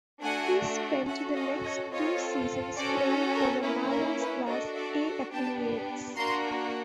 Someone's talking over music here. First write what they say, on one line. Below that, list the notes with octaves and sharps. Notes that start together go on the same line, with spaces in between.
He spent the next two seasons playing for the Marlins class-A affiliates.
A3 D4 F#4 F#5 G#5
C#4 F#4 A4 E5 F#5
D#5 F5
C#5 D#5
C4 F4 A4 C#5 D#5
C#4 F#4 A4 C5 D5
A#4
A#3 C#4 E4 B4
A#4
B4
D4 F#4 A4 C#5 D#5
D5 E5
B3 D4 G4 G5 A5
A#3 D4 F#4 A#5 C6